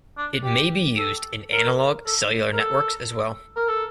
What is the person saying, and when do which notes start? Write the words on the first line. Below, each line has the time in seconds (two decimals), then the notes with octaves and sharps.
It may be used in analog cellular networks as well.
0.18 D4
0.44 G4
0.98 A4
1.52 A#4
2.06 A4
2.53 A#4
2.59 A4
3.56 A#4
3.68 A4